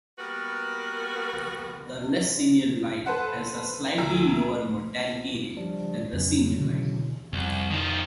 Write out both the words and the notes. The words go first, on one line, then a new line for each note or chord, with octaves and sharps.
The less senior line has a slightly lower mortality rate than the senior line.
G3 A#3 B3 F#4 A#4 B4
A4 B4 C5 F#5
D2 E4 A#5 E6
F3 G3 D4
F2 C#3 F#3
B2 D3 E3
C2 F2 F6
D#3 F3